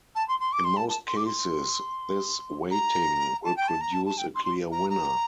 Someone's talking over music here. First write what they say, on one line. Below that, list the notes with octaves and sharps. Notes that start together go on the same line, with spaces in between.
In most cases, this weighting will produce a clear winner.
A5
C6
C6
D6
C6
A5
A5
C6
D6
C6
A#5
A5
G5
A5
A#5
A5
A5
G5
C6
C6
A#5
A#5